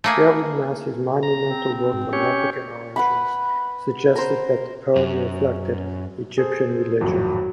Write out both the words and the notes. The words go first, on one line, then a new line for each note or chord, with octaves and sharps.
Gerald Massey's monumental work on African origins suggested that the poem reflected Egyptian religion.
A3 A#3 G#4
A#5
C4
G#2
C#4 G4 C#5
B4 F#5 B5
A#4 C5
F#2
G#4 A4 C5
G#1 F2 A2 F#3